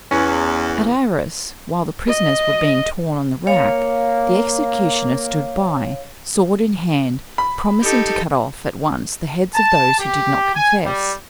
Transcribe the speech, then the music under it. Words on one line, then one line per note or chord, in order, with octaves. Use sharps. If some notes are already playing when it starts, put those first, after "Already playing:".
At Arras, while the prisoners were being torn on the rack, the executioner stood by, sword in hand, promising to cut off at once the heads of those who did not confess.
E2 C#4
D#5
A#3 C#5 F5
B5
D#4 G4 A4
A5
G4
G#5
G3